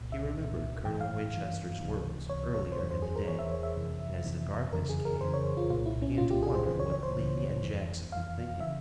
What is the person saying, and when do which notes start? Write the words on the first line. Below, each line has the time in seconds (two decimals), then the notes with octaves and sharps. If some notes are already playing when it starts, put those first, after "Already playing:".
He remembered Colonel Winchester's words earlier in the day, and, as the darkness came, he began to wonder what Lee and Jackson were thinking.
Already playing: C2 A#2
0.12 E5
0.36 C2 A#2
0.84 G2 E3 G5
1.01 F5
1.33 G2 E3
1.82 C#2 C3 E3
2.30 C#2 C3 E3 C#5
2.54 C#5
2.72 C5
2.79 E2 E3 C#5
2.91 C5
3.02 G#4
3.16 A#4
3.28 E2 E3 C#5
3.39 E5
3.52 C#5
3.63 E5
3.76 F2 C3 E3
4.25 F2 C3 E3
4.72 F2 C#3 E3 A#4
4.89 G#4
5.05 A#4
5.21 F2 C#3 E3 C5
5.34 C#5
5.57 F4
5.70 A#2 F4
5.73 C2
5.86 E4
6.02 C#4
6.18 C2 A#2 F4
6.30 G4
6.43 G#4
6.55 C5
6.66 C#2 C#3 E3 C5
6.80 C#5
6.92 C#5
7.03 C5
7.16 C#2 C#3 E3
7.63 F2 E3
8.12 F2 E3 F5
8.60 C#3 E3 E5